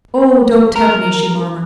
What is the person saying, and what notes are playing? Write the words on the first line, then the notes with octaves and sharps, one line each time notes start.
"Oh, don't tempt me!" she murmured.
A#4